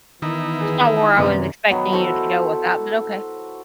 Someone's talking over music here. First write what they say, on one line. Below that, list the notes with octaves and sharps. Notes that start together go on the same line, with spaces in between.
It's not where I was expecting you to go with that, but okay.
D#3 E3 B3 D#4 E4
G#4
F#2 C3 B3 D5
D#3 F#3 B3
E4 F#4 A4 C5